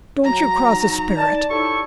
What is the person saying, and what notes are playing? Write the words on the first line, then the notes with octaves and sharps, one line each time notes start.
"Don't you cross a sperrit."
F#3 A#5
D#4
D5 A5
E4 G4 A4 C#5 D5 C#6